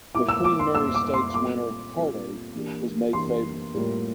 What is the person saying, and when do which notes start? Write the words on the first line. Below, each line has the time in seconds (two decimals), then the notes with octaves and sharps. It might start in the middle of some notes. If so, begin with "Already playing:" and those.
The Queen Mary Stakes winner Heartache was made favourite.
0.14 A#2 G3 A#3 E4 D6
0.29 E6
0.44 D6
0.59 C6
0.74 A#2 G3 A#3 E4 E6
0.95 D6
1.14 C6
1.34 A#2 G3 C4 F4 A4 D6
1.95 A#2 G3 C4 F4 A4
2.54 E3 A#3 D4 G4
3.13 E3 A#3 D4 G4 C6
3.74 A2 G3 A#3 F4 A#4